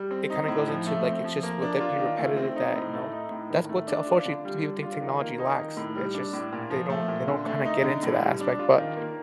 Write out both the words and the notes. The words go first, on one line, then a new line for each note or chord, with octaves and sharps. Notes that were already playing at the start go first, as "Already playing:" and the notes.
it kinda goes into, like, it's just would they be repetitive that you know, that's what, unfortunately, people think technology lacks. It's just they don't they don't kinda get into that aspect. But,
Already playing: G3
C4
D#4
A2
F3
A3
C4
F3
A#3
D4
F4
D#3
A3
C4
D#4
A2
A3
D#4
A2
D#3
A3
D4
F4
D3
G3
D4
F4
D#3
A#3
D#4
D#3
A2
G3
D4
A2
A#2
F3
A3
A#2
D3
A3
D#4
D3
A2
G3
D4
F4
D#3
A#3